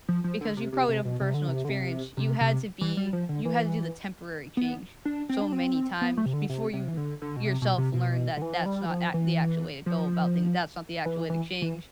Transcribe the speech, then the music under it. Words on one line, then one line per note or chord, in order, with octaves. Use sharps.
because you probably know from personal experience you had to be you had to do the temporary change so many times, before you yourself learned that that's not act the actual way to go about things, that's not the actual way to change.
F3
F3
D3
C3
C3
C3
B2
C3
D3
C3
D3
C3
C3
C3
E3
G3
F3
D3
E3
B3
D4
C4
D4
C4
B3
A3
C3
D3
C3
C3
E3
D3
D3
B2
C3
B2
C3
B2
D3
E3
F3
G3
E3
F3
E3
F3
E3
E3
E3